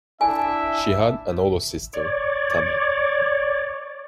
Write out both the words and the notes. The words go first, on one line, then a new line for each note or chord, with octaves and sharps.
She had an older sister, Tammy.
D4 E4 E5 G#5
C#5 D5